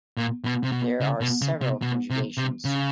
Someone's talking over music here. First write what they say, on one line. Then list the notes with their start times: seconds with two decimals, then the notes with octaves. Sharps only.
There are several conjugations.
0.17 A#2
0.45 B2
0.64 C3
0.72 B2
1.00 C#3
1.21 B2
1.42 C#3
1.61 C3
1.82 B2
2.10 C3
2.37 C3
2.65 C#3